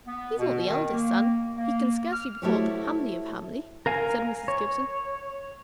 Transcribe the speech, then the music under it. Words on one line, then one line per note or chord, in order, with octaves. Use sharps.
"He's not the eldest son; he can scarcely be called Hamley of Hamley!" said Mrs. Gibson.
B3
B2
D#3
A#3
A#3
F6
A3 E4 F#4 G4 C5 C#5
A#4 F5 G#5
C#5